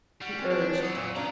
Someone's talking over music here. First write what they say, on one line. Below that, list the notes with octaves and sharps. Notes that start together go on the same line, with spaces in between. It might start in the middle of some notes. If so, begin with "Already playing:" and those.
He urged.
G3 F#4
F#3 C4 G#4
D4
E3 F#3 F#4 D#6 E6
F2 A#2 F#4
C#3 C#4 D4 F5 A#5 D6 F#6